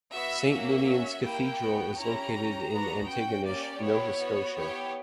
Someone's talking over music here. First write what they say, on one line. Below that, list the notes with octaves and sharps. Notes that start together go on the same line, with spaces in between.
Saint Ninian's Cathedral is located in Antigonish, Nova Scotia.
B3 F#4 E5
A#3 C#4 F#4 E5
C#4 F#4
A#3 E4 G4 G5
B3 F#4
C#4 E4 G4 A#5
C#4 G4
B3 D4 F#4 A#5
C#4 F#4 G5
A#3 C#4 G4 D5
B3 E4 G4 C#5
B3 F#4
B3 E4 G4 C#5